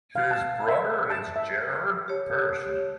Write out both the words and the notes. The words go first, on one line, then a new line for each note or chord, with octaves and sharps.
His brother is Gerhardt Pearson.
F5
A5
E5
A5
E5
G4 C#5 A5